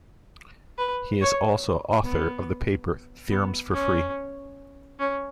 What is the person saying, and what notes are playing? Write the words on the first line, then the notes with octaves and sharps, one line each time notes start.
He is also author of the paper Theorems for free!
B4
C#5
B3
B3
C#4
C#4